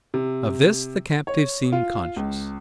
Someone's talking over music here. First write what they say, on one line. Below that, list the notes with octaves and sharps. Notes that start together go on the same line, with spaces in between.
Of this the captive seemed conscious.
C3
C#5
F4
C#2